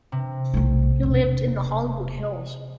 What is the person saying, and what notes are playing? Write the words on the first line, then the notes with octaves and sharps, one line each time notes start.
He lived in the Hollywood Hills.
C3
B1 A3
E1